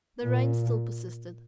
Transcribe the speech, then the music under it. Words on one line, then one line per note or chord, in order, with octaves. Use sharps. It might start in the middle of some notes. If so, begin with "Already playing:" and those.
The rain still persisted.
A#2